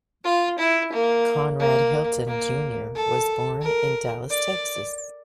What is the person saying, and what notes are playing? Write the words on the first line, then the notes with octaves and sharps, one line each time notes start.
Conrad Hilton Junior was born in Dallas, Texas.
F4
E4
A#3
A#3
A#3
A4
A#4
D5